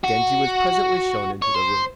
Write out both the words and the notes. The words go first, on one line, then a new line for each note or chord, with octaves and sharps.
Genji was presently shown into the room.
F#4
C#5
C5